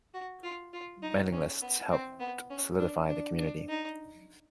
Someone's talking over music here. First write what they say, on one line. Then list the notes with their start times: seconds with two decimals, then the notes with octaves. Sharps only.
Mailing lists helped solidify the community.
0.14 F#4
0.43 F4
0.73 F4
1.03 D#4
1.32 C#4
1.62 B3
1.91 C4
2.20 B3
2.50 C#4
2.79 D4
3.09 D4
3.38 D4
3.69 D#4